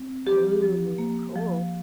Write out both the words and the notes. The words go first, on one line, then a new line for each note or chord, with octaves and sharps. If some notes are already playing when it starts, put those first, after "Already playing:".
Oh, cool.
Already playing: C4
F3 G4
F3
A#3
F3